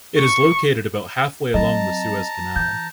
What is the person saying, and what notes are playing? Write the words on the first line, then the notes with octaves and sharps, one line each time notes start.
It is located about halfway along the Suez Canal.
C#6
F#3 C4 D#5 A5 A#5
E3 G6